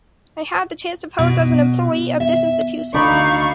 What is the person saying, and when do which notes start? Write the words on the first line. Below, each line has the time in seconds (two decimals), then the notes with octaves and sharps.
I had the chance to pose as an employee of this institution.
1.19 B2
2.20 E5
2.94 D2 D3 D4 D#4 D5 F5 B5 C#6